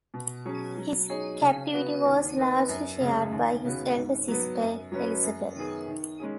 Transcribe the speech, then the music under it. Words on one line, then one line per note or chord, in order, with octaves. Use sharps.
His captivity was largely shared by his elder sister Elizabeth.
B2
F#3 C#4 G#4 C#5
F#3
D#4 G#4 C#5
C#3
B3 F#4 B4
D#2
D#3 B3 D#4 B4
F#2
C#3 G#3
D#2
C#3 B3 F#4 B4
G#2
F#3 B3
F#2
F#3 C#4 B4
F#2
D#3 B3 G#4
D#3
G#3 C#4 G#4